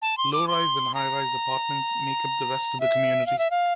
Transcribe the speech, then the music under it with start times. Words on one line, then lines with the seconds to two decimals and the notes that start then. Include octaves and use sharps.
Low-rise and high-rise apartments make up the rest of the community.
0.02 A5
0.17 C6
0.33 D6
0.48 C6
0.94 A#5
2.80 E5
3.27 F5
3.39 E5
3.51 F5